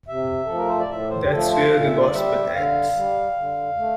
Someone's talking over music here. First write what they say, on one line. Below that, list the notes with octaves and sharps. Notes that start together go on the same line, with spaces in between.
That's where the Gospel ends.
C3 E5
F3 A4
A3 A#4
C5
D5
A2 E5
C5
G4
F3 A3 A4
C5
A#2 F5
E5
D5
G3 E5
D3 F5
G3
D3
A3